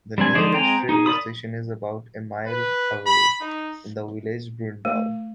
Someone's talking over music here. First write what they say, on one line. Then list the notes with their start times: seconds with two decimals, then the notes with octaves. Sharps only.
The nearest railway station is about a mile away, in the village of Brundall.
0.18 G3 C4 D4 G#5
0.35 F3 G#3 D#4 C5 D5
0.54 G#3 C4 G5 G#5 A#5
0.89 D#4 G#4
1.06 A#4 D5 B5 D#6
2.47 B4
3.06 B5
3.41 D#4
4.85 A3